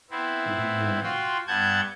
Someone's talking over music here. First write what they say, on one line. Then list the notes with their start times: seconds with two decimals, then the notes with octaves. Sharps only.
we, um
0.11 B3 C4 E4
1.03 F4 F#4 G5 C6
1.47 G2 B3 F#5 A5 G6 G#6